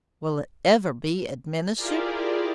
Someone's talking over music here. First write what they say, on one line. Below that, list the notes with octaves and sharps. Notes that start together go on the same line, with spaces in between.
Will it ever be administered?
E4 F4 G4 G#4 A#4 D5